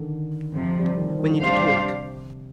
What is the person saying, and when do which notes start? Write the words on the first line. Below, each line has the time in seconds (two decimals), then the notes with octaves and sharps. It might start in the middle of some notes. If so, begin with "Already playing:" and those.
We need to talk.
Already playing: D3 D#3
0.53 F2 C3 F3
0.79 G3
0.88 F3
0.97 D#3
1.09 F3
1.19 D#3
1.30 D3
1.41 C3 G3 D4 G4 C5 F5